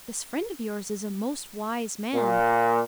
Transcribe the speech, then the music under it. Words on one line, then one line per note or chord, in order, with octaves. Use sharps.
This friend of yours is a most wise man.
A#2